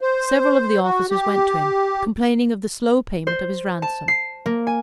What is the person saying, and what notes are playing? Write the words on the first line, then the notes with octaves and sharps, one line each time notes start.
Several of the officers went to him, complaining of the slow payment of his ransom.
C5
F#4
G4
C5
A5
C7
A#3
G#5